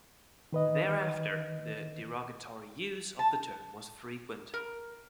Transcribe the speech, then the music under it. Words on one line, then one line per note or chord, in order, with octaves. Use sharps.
Thereafter, the derogatory use of the term was frequent.
D#3 B4 D#5
A5
A#4